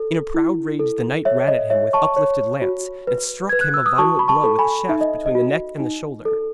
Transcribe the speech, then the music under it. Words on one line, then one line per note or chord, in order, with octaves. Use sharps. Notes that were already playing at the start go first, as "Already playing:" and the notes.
In a proud rage the knight ran at him with uplifted lance, and struck him a violent blow with the shaft between the neck and the shoulder.
Already playing: A4
E4
A4
C#5 E5
D#5
C#5 E5
A5 C#6
C#5
F#4
B4
B4 G#6
F#6
E6
D#6
F#4 A5 C#6
B5
A5 C#6
A4
G#5 B5
D#4 E5
D#5
D#5
F#4
D#4
A4